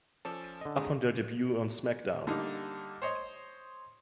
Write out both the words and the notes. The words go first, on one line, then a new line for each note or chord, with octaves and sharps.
Upon their debut on SmackDown!
F3 C#4 A4 D5 A5
D3 D#5
C3 G#3 D#4
D3 G3 A#3 D#4
C5 C#5 D#5